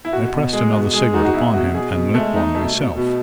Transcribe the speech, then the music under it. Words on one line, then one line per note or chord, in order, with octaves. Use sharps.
I pressed another cigarette upon him and lit one myself.
E4
B2 F#4
B2
G#3 G#4
B2
G#3 G#4
D#4 F#4
F#4
B2 E4
B2 F#4
B2 G#4
B2
G#3 A3
D#4
B2 A3
B2
B2